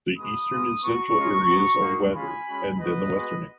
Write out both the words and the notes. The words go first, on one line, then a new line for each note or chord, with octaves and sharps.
The eastern and central areas are wetter than the western end.
G#3 B3 F#4 B5 D#6
G#3 B3 F4
B3 F#4 A#5 C#6
G#3 C#4 F4
B3 F#4
A#3 D#4 F#4
G#3 C#4 F4 G#5 B5
G#3 C#4 F#4
G#3 B3 D#4 F#4 B4 D#5
G#3 B3 F#4